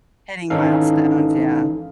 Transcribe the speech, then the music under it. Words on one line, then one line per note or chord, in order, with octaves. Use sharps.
Hitting milestones, yeah.
G#1 E3 C#4 D#4 A4 F5